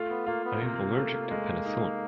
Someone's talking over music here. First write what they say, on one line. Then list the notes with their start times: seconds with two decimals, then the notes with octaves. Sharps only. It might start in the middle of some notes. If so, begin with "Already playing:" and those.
I am allergic to penicillin.
Already playing: A3 F4
0.09 B3
0.26 A#3 F4
0.45 B3
0.61 C3 A#3
0.97 A3
1.31 G#3
1.66 D#4